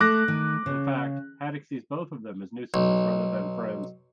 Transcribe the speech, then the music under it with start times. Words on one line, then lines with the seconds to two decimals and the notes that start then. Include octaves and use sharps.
In fact, Haddock sees both of them as nuisances rather than friends.
0.01 A3 D6 F#6 A#6
0.28 D#3
0.66 C#3
2.74 B1